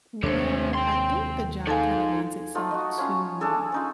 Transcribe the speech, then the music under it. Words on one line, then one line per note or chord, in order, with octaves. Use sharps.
W well, I think the job kinda lends itself to
D#2 C3 G#3 A3 C#4 D4 C5
C4 G5 C6
D#4 G#4 A4 F5 G#5 A5 A6
A3 D#4 F4 F#5
F#4 D#5
C#4 F4 C#5
D4 G#4 A4 G#5
C#4 D#4 F4